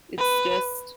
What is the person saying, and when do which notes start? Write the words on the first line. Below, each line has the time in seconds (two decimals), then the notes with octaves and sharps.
it's just,
0.18 B4